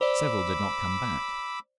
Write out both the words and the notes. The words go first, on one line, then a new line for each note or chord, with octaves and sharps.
Several did not come back....
C5 D5 B5 D6 E6